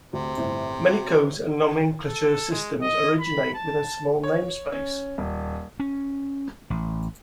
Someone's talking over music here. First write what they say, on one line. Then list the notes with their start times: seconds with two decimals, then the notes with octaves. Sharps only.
Many codes and nomenclatural systems originate within a small namespace.
0.13 D2 C3
0.37 G1 A2 C5
0.89 F#4
2.05 A4
2.51 G#3
2.82 D#5
3.20 B5
3.54 A5
4.24 C#5
4.72 C#4
5.18 D#1
5.80 C#4
6.70 A1